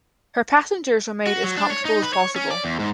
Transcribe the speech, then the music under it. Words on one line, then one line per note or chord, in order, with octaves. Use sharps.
Her passengers were made as comfortable as possible.
F#4
F#3
D4
C#5
D#4
B4
C#5
C#4
D5
E2
G#2